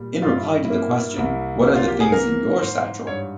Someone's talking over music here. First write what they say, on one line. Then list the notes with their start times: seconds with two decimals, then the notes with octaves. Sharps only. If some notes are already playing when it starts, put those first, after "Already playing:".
In reply to the question, What are the things in your satchel?
Already playing: A#2 G3
0.22 G2 F4
0.37 E4
0.65 E4
0.70 A#3
1.17 C2 E4
1.65 A#3
1.75 F4
1.88 G4
2.00 G#4
2.12 E3 A#4
2.59 G#2 C5
3.07 G2 C#5